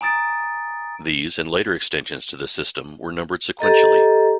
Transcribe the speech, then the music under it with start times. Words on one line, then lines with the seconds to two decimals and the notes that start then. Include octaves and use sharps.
These, and later extensions to the system, were numbered sequentially.
0.01 G#5 A#5 D#6 A6 D7
3.59 G4 A4 D#5 A#5